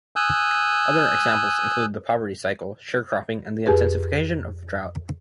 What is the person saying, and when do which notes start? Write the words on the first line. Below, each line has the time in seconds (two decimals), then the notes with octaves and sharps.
Other examples include the poverty cycle, sharecropping, and the intensification of drought.
0.16 G#5 D#6 E6 F#6 G6
3.66 F2 G4 G#4 B4